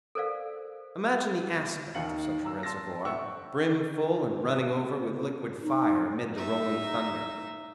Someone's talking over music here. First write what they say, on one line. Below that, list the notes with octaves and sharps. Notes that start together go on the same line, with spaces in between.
Imagine the aspect of such a reservoir, brim full and running over with liquid fire amid the rolling thunder.
A4 A#4 C5 D5 F5
A6
D#2 D#3 D#4 F5 C#7 F#7
A#5 E6
A5 C6 E6 A6 A#6
E5 F#5 G5 C#6 E6
D#4
D#4 E5